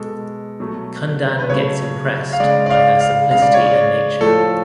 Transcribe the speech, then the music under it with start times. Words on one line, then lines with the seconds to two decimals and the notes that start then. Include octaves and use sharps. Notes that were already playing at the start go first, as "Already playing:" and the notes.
Kundan gets impressed by her simplicity and nature.
Already playing: B2 G#3 A4
0.60 B2 F#3 A3
1.39 B4
1.49 C#3 F#3 A3 C#5
2.33 F5
2.40 C#3 G#3 D5
2.66 D5
2.70 F5
3.00 F5
3.31 C#3 G#3 F5
3.42 D5
3.54 C#5
3.66 D5
4.21 A2 F3 A3 A4